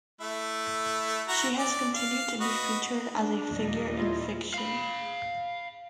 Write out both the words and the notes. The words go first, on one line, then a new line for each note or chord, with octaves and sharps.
She has continued to be featured as a figure in fiction.
A3 E4
E4 F#4 A#5
D5
F5
F#4 B4 D#5
D4
D#2 A#2 G3 D#5
F3 E4 F4
F5 B5